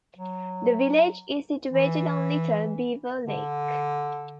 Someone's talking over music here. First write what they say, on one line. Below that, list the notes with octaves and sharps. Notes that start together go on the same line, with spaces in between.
The village is situated on Little Beaver Lake.
F#3
E3
D3